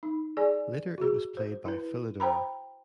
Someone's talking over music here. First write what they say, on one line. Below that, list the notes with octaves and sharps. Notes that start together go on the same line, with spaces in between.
Later it was played by Philidor.
D#4
G#4 D5 G#5
F#4 G#4
C5
E4 B4
C5 G5 A#5 B5